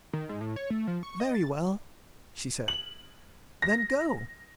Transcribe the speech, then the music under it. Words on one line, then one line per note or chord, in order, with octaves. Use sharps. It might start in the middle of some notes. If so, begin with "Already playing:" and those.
"Very well," she said; "then go!"
D#3
G#2
A2
C#5
A3
F3
C#6
D#5
A6
F#7
A#6